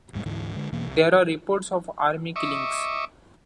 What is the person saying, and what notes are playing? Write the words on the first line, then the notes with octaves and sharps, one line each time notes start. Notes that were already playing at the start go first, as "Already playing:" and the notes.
There are reports of Army killings.
A1 F2 G#2 G3
D2 G#2 D3 E3
D3 G#3
E2 B2 E3 A#3
C2
D#5 E5 C#6 D6